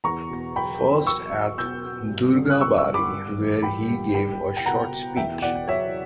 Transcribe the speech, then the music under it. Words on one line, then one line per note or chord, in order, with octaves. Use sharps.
First at Durgabari, where he gave a short speech.
E2 A#5 C#6
B2
F#3 G5 B5
E2
F#3 C#6 E6
F#3
B2 E6 G6
B2
G2
D3
F#6
F#3 C#6 E6
C#6 E6
G2
B5 D6
G2
E3
G3 G5 B5
G2
G3 G5 B5
G3
G5
B2 F#5 A#5
B2
E2 E5 G5
B2 D5 F#5
F#3 C#5 E5